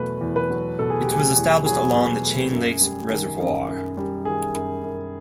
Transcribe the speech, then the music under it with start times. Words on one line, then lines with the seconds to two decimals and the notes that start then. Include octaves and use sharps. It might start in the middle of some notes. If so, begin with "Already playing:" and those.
It was established along the Chain Lakes Reservoir.
Already playing: E2 B2 F#3 A3 B4
0.21 E2
0.36 B4
0.50 F#3
0.79 B2 A4
0.90 G#4
1.01 G4
1.08 A3
1.13 G#4
1.36 E2
1.66 F#3 G#4
1.95 B2
2.24 A3
2.52 F#2
2.81 G3
3.10 D#3
3.40 F#2
3.69 F#2
3.97 G3
4.25 D#3 G#4
4.54 F#2
4.83 F#2